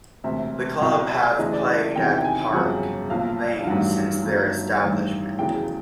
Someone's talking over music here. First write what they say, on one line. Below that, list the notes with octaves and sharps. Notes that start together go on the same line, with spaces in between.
The club have played at Park Lane since their establishment.
E1 D2 C3 E5
C2 B2 F#3 F5
E5
D2 C#3 E3 D#5
D5
D5
E2 C3 D#3 F#3 G5
G5
G#5
G1 F2 C#3 F#3 F#5
B1 A#2 F3 F5
F5
A1 G2 D#3 F#3 F#5
G1 G2 D#3 F#3
A1 G2 D#3
F1 E2 C#3 F#3 G5